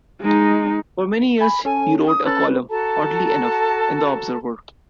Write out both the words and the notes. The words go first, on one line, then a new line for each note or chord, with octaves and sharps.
For many years he wrote a column, "Oddly Enough", in "The Observer".
G#3 D#4
G#5 B5
C#4 A4 G#5
D#6
C#4 A4 B4 F#6
F#4 A4 A5 A#5